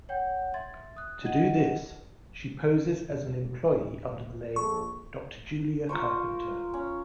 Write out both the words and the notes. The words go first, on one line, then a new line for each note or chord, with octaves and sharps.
To do this, she poses as an employee under the name "Doctor Julia Carpenter".
C#5 F#5 G5 G6
E5 C6 G#6 A6
D#6 F#6
D4 E4 D#5 F#5 G#6 D#7
E1
D1
A#1 A4 C#6
F4 A#4 C5 C#6
C#4